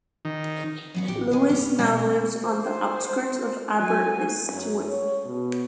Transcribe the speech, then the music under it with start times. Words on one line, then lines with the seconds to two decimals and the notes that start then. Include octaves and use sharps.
Lewis now lives on the outskirts of Aberystwyth.
0.25 D#3
0.94 F#3 B3 F#5
1.08 A1 G4
1.31 A#2 D#3 G#4
1.49 E1 G3 A#3 C#4
1.79 B2 G#3 C4
2.45 C5
3.81 F#3 G#5
4.52 F#2
4.88 C#5
5.25 B2